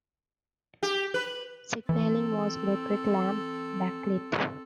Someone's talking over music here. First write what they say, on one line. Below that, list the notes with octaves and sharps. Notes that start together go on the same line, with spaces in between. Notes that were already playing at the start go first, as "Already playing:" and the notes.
Signalling was electric lamp backlit.
G4
B4
E3 C4 A4